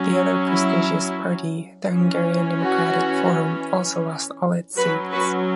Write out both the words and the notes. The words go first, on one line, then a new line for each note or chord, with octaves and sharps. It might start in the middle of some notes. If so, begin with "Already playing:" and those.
The other prestigious party, the Hungarian Democratic Forum also lost all its seats.
Already playing: F#3 C#4
E4
E3 C#4
F#4
F#3 C#4 F#4 B4
F#4 B4